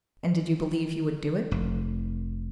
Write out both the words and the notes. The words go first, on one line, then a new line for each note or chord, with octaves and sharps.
"And did you believe he would do it?"
F1